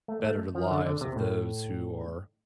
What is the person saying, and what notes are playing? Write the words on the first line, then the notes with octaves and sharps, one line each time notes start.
better the lives of those who are
A3
A3
F3
D3
D3
C3
A2